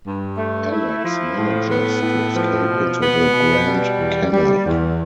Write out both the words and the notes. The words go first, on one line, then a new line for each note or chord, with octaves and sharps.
Alex manages to escape into the Grand Canal.
G2
A3
E4
F3
A2
B3
A2
F3
B2
B3
B2
G3
E2
G3
E2